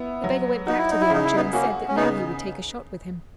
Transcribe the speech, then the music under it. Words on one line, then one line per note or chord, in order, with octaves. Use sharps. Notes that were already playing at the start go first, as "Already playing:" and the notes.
The beggar went back to the archer and said that now he would take a shot with him.
Already playing: B3 E4
F#3
D#4 F#4
E4
D#4
E4
C#3 D#4
E4
B3 D#4
A#3 C#4 F#4
C#4
C#3 B3 D#4